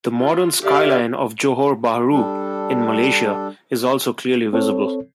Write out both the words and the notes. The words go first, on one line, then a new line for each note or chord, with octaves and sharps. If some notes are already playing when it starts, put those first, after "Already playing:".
The modern skyline of Johor Bahru in Malaysia is also clearly visible.
F4
D3 G4 D5 E5 F5
G3 D4 A4
C4 A4 C#5